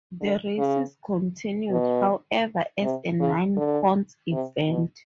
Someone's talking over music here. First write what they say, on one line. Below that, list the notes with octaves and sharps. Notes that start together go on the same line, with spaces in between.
The races continued, however, as a non-points event.
D3
C#3
B2
C3
C#3
D3
C3
B2